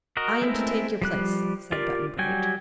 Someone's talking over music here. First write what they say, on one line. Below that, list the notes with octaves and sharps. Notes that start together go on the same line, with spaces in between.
"I am to take your place," said Button-Bright.
F#4 A#4 D#5
G#3 A3 C4 E4 A#4
F3 G3 F#6
F4 G4 A#4 D5
F#3 G3 F#4 G5 G#5